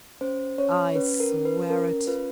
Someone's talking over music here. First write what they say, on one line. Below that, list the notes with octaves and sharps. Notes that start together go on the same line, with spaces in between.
"I swear it!"
C#4 C5
C#4 C#5
C#4 B4
A#4
C#4
B4
C#4 A#4
F4 B4